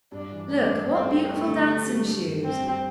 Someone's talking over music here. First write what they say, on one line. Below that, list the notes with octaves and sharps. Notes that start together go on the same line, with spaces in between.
"Look, what beautiful dancing shoes!"
G2 D4
E3
A3 D4
G2
C4 A4
G3
A3 D4
D3
G4
G3
D4
G2
G2 C4
G3